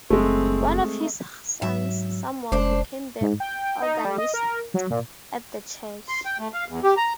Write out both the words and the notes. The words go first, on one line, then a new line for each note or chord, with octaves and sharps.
One of his sons, Samuel, became the organist at the church.
F#1 G#3 A3 C4
G#2 F#3 E5
F1 G#3 C#4 D4 C5 D6
G#2
G5
D#4
G3
D#5
A#4
F#3
A#2
C6
G5
A3
F5
E2
G4
A#5